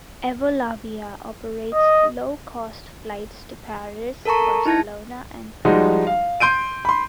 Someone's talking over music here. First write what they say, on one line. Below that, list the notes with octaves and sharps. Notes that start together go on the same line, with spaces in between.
Evolavia operates low cost flights to Paris, Barcelona, and Palermo.
D#5
A4 A#4 A5 A#5 C#6
D#4 E4 A5 G#6 A#6
F3 G3 G#3 D#4 F#4
F5
C6 G6 D7 D#7
B5 C6